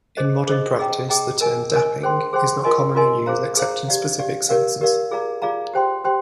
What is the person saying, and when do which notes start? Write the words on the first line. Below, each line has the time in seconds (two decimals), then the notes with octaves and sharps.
In modern practice the term "dapping" is not commonly used except in specific senses.
0.17 G#4 C5 D#5
0.48 G#4 C5 D#5
0.79 G#4 D#5 G5 A#5
1.09 G#4 D#5 G5 A#5
1.41 A#4 D#5 G#5
1.71 A#4 D#5 G#5
2.03 G#4 C5 G5 C6
2.33 G#4 C5 G5 C6
2.64 F4 A#4 D#5 G#5 C6
2.95 F4 A#4 D#5 G#5 C6
3.26 G#4 C5 F5 A#5
3.57 G#4 C5 F5 A#5
3.88 G4 D5 F5
4.19 G4 D5 F5
4.49 G4 A#4 D5 F5
4.81 G4 A#4 D5 F5
5.11 F4 G#4 D5 F5 A#5
5.42 F4 G#4 D5 F5 A#5
5.74 G4 C5 G5 C6
6.04 G4 C5 G5 C6